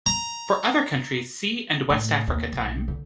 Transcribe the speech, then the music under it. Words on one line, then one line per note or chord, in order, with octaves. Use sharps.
For other countries see and West Africa Time.
A#5
A2
D#2
B1
D3